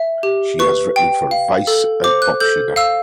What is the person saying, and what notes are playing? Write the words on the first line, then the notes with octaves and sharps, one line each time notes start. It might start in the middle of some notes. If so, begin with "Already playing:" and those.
She has written for "Vice" and "Popsugar".
Already playing: E5
G4
B4 C#6
G5
F5
A4
C5 D6
F#6
A4 G6
F5 E6